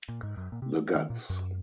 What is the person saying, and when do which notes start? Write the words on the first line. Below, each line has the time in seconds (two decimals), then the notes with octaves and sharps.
The Guts!
0.09 A#2
0.23 G#2
0.37 F#2
0.52 A#2
0.62 C3
0.95 D#3
1.10 A#2
1.30 F#2